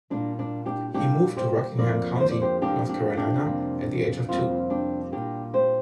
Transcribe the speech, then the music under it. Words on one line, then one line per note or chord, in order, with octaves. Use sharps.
He moved to Rockingham County, North Carolina at the age of two.
A#2 G3 A#3 D4
D4
D4 G4
A#2 G3 A#3 D4 G4
G4 C5
F2 D3 F3 A#3 A#4 D5
C5
D5
G4 C5
F2 D3 F3 A#3 D4 G4
D4 G4
D4 G4
F2 C3 G3 A#3
F2 C3 G3 A#3 C4 F4
D4 G4
A#2 G3 A#3 D4 G4
G4 C5